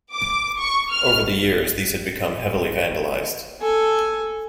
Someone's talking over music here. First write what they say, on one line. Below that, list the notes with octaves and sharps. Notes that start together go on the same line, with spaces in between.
Over the years these had become heavily vandalised.
D6
C#6
F6
A4 G#5